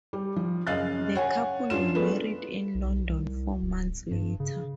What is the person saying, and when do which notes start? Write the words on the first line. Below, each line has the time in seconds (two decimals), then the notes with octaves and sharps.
The couple were married in London four months later.
0.13 G3
0.36 F3
0.67 F#2 C#3 D#5 F5 F#6 A6
1.15 C#5 F#5 G#5
1.70 F#2 D4 F4 E7
1.95 G#3 A3 B3 B4
2.75 B1
3.09 C2
3.62 D1
4.11 G2
4.40 C#3